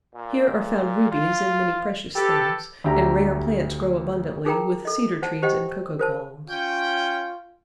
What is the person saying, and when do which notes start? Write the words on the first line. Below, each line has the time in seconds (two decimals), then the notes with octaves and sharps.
Here are found rubies and many precious things, and rare plants grow abundantly, with cedar trees and cocoa palms.
0.15 A#2
1.12 F4
2.16 G4 A4 B4
2.84 D2 D4 G4 E5 A#5
4.45 D#4 G#4 A#4 G5 A#5
4.85 A4 D#5
5.22 C5 F#5 A5
5.42 G4 C5 D#5 F#5 G5
5.99 A#4 C5 A5
6.49 C#4 F4 G5